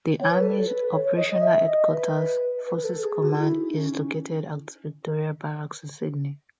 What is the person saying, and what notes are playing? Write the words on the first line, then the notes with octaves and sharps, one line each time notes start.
The Army's operational headquarters, Forces Command, is located at Victoria Barracks in Sydney.
C#5
B4
A4
B4
C#5
C#5
D#5
D#5
E5
D#5
B4
B4
B4
A4
G#4
F#4
D#4
E4
D#4
C#4